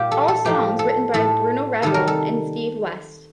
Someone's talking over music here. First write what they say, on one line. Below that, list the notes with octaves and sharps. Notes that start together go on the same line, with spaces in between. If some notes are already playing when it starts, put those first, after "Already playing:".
All songs written by Bruno Ravel and Steve West.
Already playing: A#2 G3 F4 G4
A4
A4
A2 F3 A3 G4
A4
A2 A3 A4
C3 D#3 G3 A4
A#4
A4